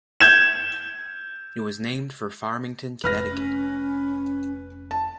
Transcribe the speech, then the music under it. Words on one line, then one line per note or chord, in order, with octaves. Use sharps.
It was named for Farmington, Connecticut.
G6 G#6 E7
F1 B4 F6 A#6
C#4
A5